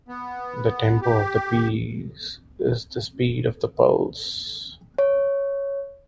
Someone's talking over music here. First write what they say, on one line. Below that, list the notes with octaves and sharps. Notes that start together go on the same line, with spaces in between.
The tempo of the piece is the speed of the pulse.
B3
G4
C#5